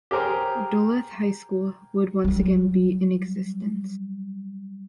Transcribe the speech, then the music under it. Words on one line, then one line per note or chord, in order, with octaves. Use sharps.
Duluth High School would once again be in existence.
G4 G#4 A#4 C5
F#3 G3